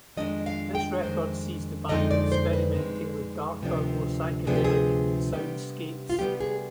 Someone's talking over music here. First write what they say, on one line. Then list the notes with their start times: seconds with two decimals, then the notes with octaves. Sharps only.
This record sees the band experimenting with darker more psychedelic soundscapes.
0.17 F2 D#3 G#3 D4 D#5
0.46 F5
0.75 G5
1.03 F2 D#3 G#3 D4 C5
1.88 F2 D3 G#3 C4 D#4 D#5
2.11 D5
2.32 C5
2.53 B4
2.75 F2 D3 G#3 C4 D#4
3.61 D2 C3 F3 B3 D4
4.46 D2 C3 F3 B3 D4 G#4
4.56 G4
4.64 G#4
5.33 C3 G3 B3 G4
6.10 F4
6.18 C3 G3 B3 G4
6.40 G#4